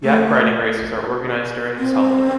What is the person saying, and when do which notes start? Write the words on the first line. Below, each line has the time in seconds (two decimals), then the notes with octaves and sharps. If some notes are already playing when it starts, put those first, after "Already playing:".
Yak riding races are organized during this holiday.
0.04 A3
1.79 C4